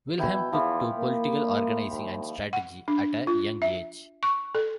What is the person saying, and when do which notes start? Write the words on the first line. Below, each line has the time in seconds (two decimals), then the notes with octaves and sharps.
Wilhelm took to political organizing and strategy at a young age.
0.19 B2 E4 G5
0.52 E2 E3 F3
0.97 A#3
1.90 D#2
2.53 F#5
2.88 D4
3.27 F4
3.62 E5
4.23 C#6
4.55 A4